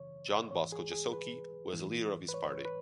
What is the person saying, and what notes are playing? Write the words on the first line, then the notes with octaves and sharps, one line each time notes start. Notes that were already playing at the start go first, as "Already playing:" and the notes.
John Bosco Jasokie was the leader of this party.
Already playing: F#2 C#3 E3 C#5
G#2 E3 C#5
G#4
G#4
B4
G#2 E3
B4
C#5
B4